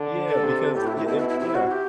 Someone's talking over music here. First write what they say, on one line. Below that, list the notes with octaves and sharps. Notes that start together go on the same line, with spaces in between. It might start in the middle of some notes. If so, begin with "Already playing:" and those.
Yeah, because yeah, eh Yeah,
Already playing: D3
A4
C3
A2 G4
E4
E4
B2 E4
E4
E4
C3 E4
F#4
G4